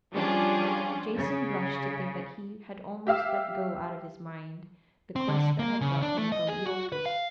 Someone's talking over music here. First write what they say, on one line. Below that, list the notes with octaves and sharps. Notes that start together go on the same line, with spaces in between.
Jason blushed to think that he had almost let go out of his mind the quest that had brought him from Iolcus.
F3 G3 C#4 D4 F4 G#4
C#3
G4 E5 F5 E6
C4
D3
A#3
C#3
D4
A3
D#5
G#4
F#4
B4
F5